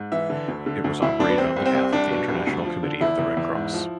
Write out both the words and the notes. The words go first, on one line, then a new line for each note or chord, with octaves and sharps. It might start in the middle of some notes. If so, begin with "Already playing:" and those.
It was operated on behalf of the International Committee of the Red Cross.
Already playing: G#2
E3 E5
D3
D2
D3
D2
D2 E4
D2 D4
B3
C2 C4
C2
C4
C2
C2 D4
B2
C2
D2
F3
D3
E2 E4
E2
E2
G#2
F3